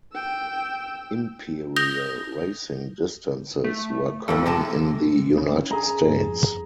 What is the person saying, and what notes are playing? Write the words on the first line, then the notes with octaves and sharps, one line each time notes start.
Imperial racing distances were common in the United States.
G5 E6
D#6 G6 A#6 F7 G7
A3
F2 G#2 E3 A4
C3 G#3 A5
C#4
G#4 A#5
G2
F2